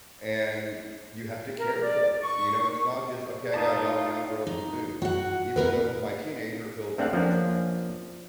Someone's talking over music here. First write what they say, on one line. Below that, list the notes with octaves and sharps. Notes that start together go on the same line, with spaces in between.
and you have to care for it, you know? It's not just, "Okay, I got a dog now, throw it some food." Even though with my teenager, it feels that way sometimes.
A#4
D5
C#6
D#4 F4 D5 A5 D#6
D#4
F#4 F#5
E4 A#4 B4
A3 C4 D4 F5 F#5
F3 A#3 C#4 D4